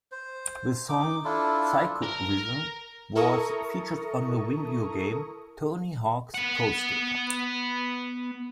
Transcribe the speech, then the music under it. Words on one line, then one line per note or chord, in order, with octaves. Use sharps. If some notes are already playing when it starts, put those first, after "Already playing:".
The song "Cyco Vision" was featured on the video game "Tony Hawk's Pro Skater".
C5
D#4 D6
D4 E4 F4 A4
A#4 A#5
E4 A4 A#4 A#5 C#6 D#6
B3 F#5